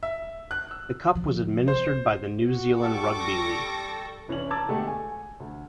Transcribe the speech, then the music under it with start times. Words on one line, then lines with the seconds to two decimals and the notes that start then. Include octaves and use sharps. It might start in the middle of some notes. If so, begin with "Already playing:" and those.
The cup was administered by the New Zealand Rugby League.
0.03 E5
0.51 F#6
0.71 E6
1.15 D3 F3
1.68 C2 C5
2.47 F#4
2.81 G3 A4 C#6 D6
3.23 A#6
4.28 F1 E3 C#4 D4 F#7
4.51 A5 A#5 D6 E6 G#6 A6
4.68 B2 D3 G#3 A3 G4 A4
4.88 G#5
5.40 D2